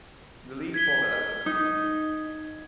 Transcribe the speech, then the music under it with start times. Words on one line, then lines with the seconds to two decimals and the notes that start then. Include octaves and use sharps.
The league folded after the season.
0.74 G#6 B6 G7
1.46 D#4